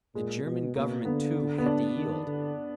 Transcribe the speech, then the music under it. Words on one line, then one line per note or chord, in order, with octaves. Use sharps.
The German Government, too, had to yield.
A#2 G#3
B2
B2 A#3
D3 B3
B3
D4
D#3
D3